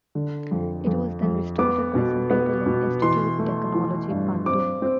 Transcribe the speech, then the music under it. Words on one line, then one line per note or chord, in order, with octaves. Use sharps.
It was then restarted by some people in Institut Teknologi Bandung.
D3
F2
F2
F2
B3 D6
B2
B3
B2
E3 C6
A3
E3
G2
C4 D6
C4